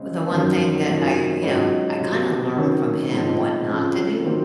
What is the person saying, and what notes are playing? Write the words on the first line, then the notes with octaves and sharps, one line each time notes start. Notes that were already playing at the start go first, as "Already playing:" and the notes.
the one thing that I you know, I kinda learned from him what not to do
Already playing: C#3 G#3 C4
F#2 D#3 F#3 C#4
F#2 D#3 F#3 C4 F4
G#2 F#3 C#4 F4
C3 F#3 C4
D#3 F#3 C#4
G#2 F3 C4
C#3 F3 C4
D#3 F#3 C4 F4